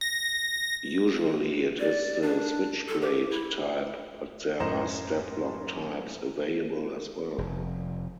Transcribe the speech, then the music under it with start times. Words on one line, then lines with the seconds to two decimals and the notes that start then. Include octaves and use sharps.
Usually it is the switchblade type but there are step-lock types available as well.
0.01 A#6
1.79 D5
2.22 D4
2.89 A4
3.02 G4
3.31 E4
4.60 F#2 A2 C5 D#5 A#5 E7
7.38 F1